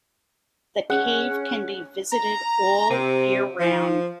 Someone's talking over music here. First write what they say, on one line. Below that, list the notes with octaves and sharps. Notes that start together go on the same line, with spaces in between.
The cave can be visited all year round.
C#4 G#4 F#5
A#5
C3
F3